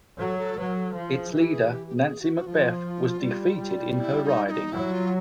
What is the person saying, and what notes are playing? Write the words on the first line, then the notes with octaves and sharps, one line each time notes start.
Its leader, Nancy MacBeth, was defeated in her riding.
F#3 A4
A4
F#3 B4
A#4
A4
F3
G#4
E3 G4
G#4
G4
G4
G#4
F#4
F#4
F3 F4
G3
E4
E4
D#4
E4
D#4
F#3 E4
F4